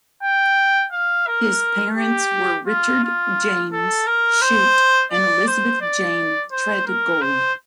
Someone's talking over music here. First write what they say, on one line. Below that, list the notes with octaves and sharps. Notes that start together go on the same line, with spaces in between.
His parents were Richard James Shute and Elizabeth Jane Treadgold.
G5
F5
A#4
G4
F4
F4
A4
A#4
C5
D5
C5
D5
C5
A#4
C5